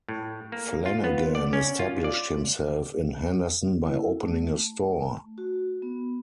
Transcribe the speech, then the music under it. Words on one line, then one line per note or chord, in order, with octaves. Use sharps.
Flanagan established himself in Henderson by opening a store.
A2
A#3
F4
B3
D5
C#4
F4
D5
E4
A3
F#4
B3